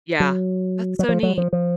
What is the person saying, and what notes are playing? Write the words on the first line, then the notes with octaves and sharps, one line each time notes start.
Yeah. That's so neat.
F#3
F#3
F3
F#3
F3
F3